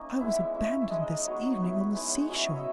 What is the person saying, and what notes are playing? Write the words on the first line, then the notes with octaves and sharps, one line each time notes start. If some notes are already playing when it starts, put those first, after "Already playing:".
"I was abandoned this evening on the sea-shore."
Already playing: A#3 C#4 D#4 D#5
G#3 B3 E4 E5
A#3 C#4 E4
E5
G#3 D#4 D#5
D#5
F#3 B3 D#4 C#5
F#3 B3 E4
G#3 D#4 B4
C#5
F#3 C#4 E4 C#5
D#5
E5